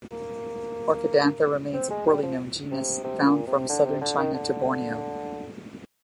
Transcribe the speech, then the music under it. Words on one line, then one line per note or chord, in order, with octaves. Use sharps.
"Orchidantha" remains a poorly known genus, found from southern China to Borneo.
A#3
C4
G#3
G3
F3
C3
C3
A#2
C3
D3
C3
D3
D#3
D3